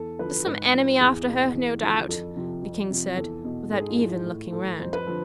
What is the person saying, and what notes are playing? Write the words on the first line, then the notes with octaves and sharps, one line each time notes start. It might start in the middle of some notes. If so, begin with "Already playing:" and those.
'There's some enemy after her, no doubt,' the King said, without even looking round.
Already playing: E2 A4
D3 F3 B4
G#2 B4
F3
E2 G#4
B2
E2
D3 F3
F2 A4
C3 F3
F2
C3 F3
E2 A4
B2
G#2 A4
G#4
F4
E3 G#4
A2
E3 A4
F2 C5
B4
D3 F3 A4